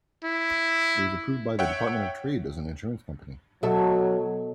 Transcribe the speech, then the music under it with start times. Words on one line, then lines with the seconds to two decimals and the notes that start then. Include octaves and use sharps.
It was approved by the Department of Trade as an insurance company.
0.24 E4
1.59 C#5 E5 F#5 G5
3.63 B2 F#3 A4 E5